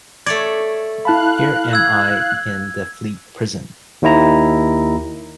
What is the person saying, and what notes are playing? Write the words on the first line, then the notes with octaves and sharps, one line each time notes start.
Here am I in the Fleet Prison.
A3 C#5 D5 G#6
E4 F5 A5 B5 F#6
E6 G#6
D#2 D#3 E4 A#5